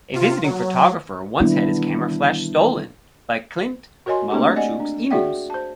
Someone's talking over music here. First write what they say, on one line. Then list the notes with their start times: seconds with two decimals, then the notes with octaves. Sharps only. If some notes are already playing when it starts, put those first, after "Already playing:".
A visiting photographer once had his camera flash stolen by Clint Malarchuk's emus.
0.13 C3 F4
0.44 F#3
1.40 D#3 E3 G3 B3 D4 E4
4.06 F#4 A#4 C#5 D#5 G#5 C6
4.30 A3 A#3 C4 D4 G4 A4
4.56 D5 D#5 F#5 G#5
4.80 D4
5.10 F#4 G#4 D5 E5 F#5 G5
5.50 C5 A5